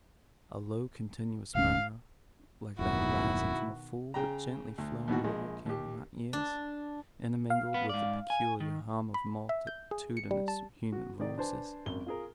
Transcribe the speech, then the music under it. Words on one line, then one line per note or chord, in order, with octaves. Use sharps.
A low, continuous murmur, like that arising from a full, but gently flowing river, came to my ears, intermingled with the peculiar hum of multitudinous human voices.
D#1 D2 C#4 F5
D#1 F#2 B2 D#3 B3 E4 F#4
C#3 G5 A#5
D2
D#2 B2 D#3 E3 F#4
A#1 G#3
D#2 G4
D4
F5
B3
G#2 D5
G#5
D#3
B5
E5
G6
G#4
C#7
G3
A5
F#4
C3 D#3 D#4 D5
D4 B4 C5 G#5 A5
G#1 F#2 G7
F4 G#4 A#4